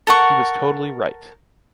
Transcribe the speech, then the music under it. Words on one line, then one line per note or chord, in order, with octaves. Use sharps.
He was totally right.
A4 A#4 F#5 C#6